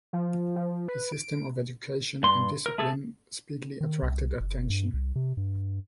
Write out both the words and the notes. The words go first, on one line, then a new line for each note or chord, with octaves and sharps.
His system of education and discipline speedily attracted attention.
F3
F3
B4
D7
G2 C6
A#4
A3 G#4 A4
D#3
C2
F#1
G2
C2
C3
G2